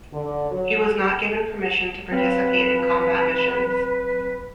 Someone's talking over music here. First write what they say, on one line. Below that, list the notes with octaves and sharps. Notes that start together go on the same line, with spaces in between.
He was not given permission to participate in combat missions.
D3
F#3
F#3 C4 B4 F5